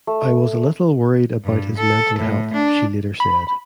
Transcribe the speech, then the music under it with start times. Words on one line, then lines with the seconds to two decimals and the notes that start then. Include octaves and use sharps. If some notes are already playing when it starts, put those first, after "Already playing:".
"I was a little worried about his mental health," she later said.
0.07 A3
1.42 G2
1.78 A4
2.18 A2
2.53 D4
3.20 B5